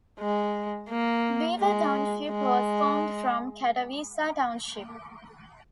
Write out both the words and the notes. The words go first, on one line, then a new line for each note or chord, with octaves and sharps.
Beaver Township was formed from Catawissa Township.
G#3
A#3
G#3
G#3